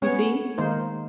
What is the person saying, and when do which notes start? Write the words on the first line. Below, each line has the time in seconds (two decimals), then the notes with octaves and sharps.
you see?
0.02 B3 C#4 C#5
0.58 D#3 G#3 A#3 D#4 C5